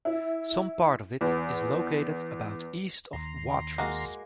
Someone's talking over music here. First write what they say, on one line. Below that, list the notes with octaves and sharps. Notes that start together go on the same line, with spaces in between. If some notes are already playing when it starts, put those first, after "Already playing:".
Some part of it is located about east of Watrous.
E4
E2
D#2 A#5 C6
G#3 A#3 F#4